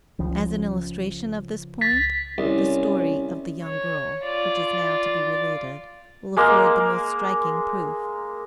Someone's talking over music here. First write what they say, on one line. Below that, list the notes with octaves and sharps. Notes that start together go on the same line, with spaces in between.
As an illustration of this point, the story of the young girl, which is now to be related, will afford the most striking proof.
C#2 C#3 F3
A6 B6
C2 C#4
C#5
F4 D5
G#3 A#3 A#4